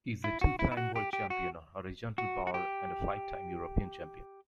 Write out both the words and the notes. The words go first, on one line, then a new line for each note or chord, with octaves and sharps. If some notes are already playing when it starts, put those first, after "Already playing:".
He is a two-time World Champion on horizontal bar and a five-time European Champion.
E4
F#4
E4
E4
F#4
G4
G4
F#4
F#4
F#4
G4